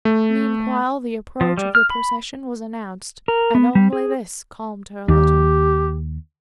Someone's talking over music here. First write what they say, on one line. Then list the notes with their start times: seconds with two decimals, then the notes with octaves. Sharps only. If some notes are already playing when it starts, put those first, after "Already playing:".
Meanwhile the approach of the procession was announced, and only this calmed her a little.
0.05 A3
1.41 F3
1.57 G3
1.75 F6
1.90 B5
3.28 A#4
3.55 B3
3.75 G3
3.93 G#4
5.08 D#2 G4